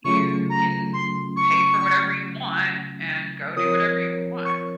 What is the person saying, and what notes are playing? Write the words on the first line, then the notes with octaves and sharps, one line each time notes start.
you can pay for whatever you want and go do whatever you want.
C#3 F#3 A3 C#4 F4 C#6
A#5
C6
C#6
F3 C4 F4 A#4 C#5 D#6
C#6